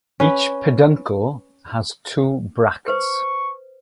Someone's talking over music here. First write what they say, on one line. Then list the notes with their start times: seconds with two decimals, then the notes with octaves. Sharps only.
Each peduncle has two bracts.
0.20 C#4 B4
2.88 B4 C5 C#6